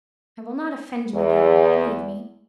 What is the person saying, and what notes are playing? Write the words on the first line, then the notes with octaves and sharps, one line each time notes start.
I will not offend you again, believe me.
E2